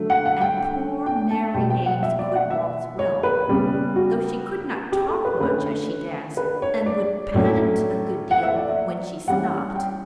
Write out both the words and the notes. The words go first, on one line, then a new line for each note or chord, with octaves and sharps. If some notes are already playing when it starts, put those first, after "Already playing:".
And poor Mary Eames could waltz well; though she could not talk much as she danced, and would pant a good deal when she stopped.
Already playing: D3 F#3 A3
F#5
F#5
G5
G5
G5
A5
B2 G3 B3 G5
G5
F#5
E5
D5
F#5
E5
C#5
B4
C#3 G3 B3
F#4
G4
A4
B4
C#5
D3 A3 C#4 B4
B4
C#5
D5
A2 F#3 A3 C#4
F#5
E5
D5
E5
E3 G3 C#4 F#5
G5